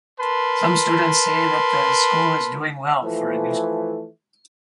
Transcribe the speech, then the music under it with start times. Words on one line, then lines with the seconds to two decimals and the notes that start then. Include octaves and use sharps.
Some students say that the school is doing well for a new school.
0.19 A#4 B4 A5 C6
3.03 E3 F3 A3